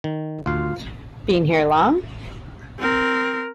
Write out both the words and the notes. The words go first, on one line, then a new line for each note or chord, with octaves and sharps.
Been here long?
D#3
D2 F4 F5
C4 A#4